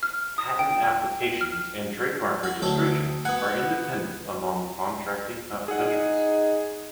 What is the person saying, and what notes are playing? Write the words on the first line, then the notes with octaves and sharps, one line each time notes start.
Patent applications and trademark registrations are independent among contracting countries.
F6
D#6
G5
F6
F#4
D2 F#3 A4 G5
B3 F#5 G#5
D#4 G#4 F#5